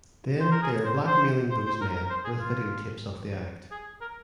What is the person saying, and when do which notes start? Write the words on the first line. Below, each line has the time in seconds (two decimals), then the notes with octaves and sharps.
Then they are blackmailing those men with videotapes of the act.
0.40 C5
0.51 A#4
0.62 G#4
0.85 C5
1.07 C5
1.51 C5
1.66 C5
1.81 A#4
1.95 A#4
2.10 C5
2.24 G#4
2.39 F4
3.71 G#4
4.01 A#4